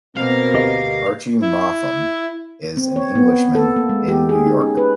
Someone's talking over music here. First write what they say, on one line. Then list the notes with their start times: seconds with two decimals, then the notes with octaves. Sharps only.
Archie Moffam is an Englishman in New York.
0.17 B2 A#3 C4 A#4 F5
0.54 D2 G4 D#5
1.42 E4
2.77 C4
2.96 C#5
3.15 B3
3.55 A4
3.76 A#3
3.89 G#3
4.08 G4
4.29 G#4
4.46 D#4
4.61 C#4
4.77 B4